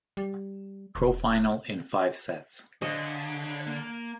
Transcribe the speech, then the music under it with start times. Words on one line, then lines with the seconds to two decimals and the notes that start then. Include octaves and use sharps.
Pro final in five sets.
0.17 G3
0.95 E1
2.82 D3 C#5 D#5 F5
3.67 A#3